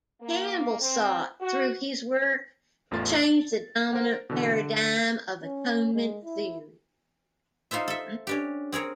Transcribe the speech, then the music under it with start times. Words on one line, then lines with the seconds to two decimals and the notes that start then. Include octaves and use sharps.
Campbell sought, through his work, to change the dominant paradigm of atonement theory.
0.21 A#3
0.80 C4
1.40 F#4
2.91 A1 E2 A3 F4 A6
3.18 A6
3.93 A#4 C5 F#5
4.30 B2 D3 E3
4.53 D3
5.43 C#4
5.94 G#3
6.24 E4
7.71 D#4 F4 A4 C5 E5
7.88 A4 E5
8.27 C#4 D4 G4
8.72 C4 G#4 A#4 C#5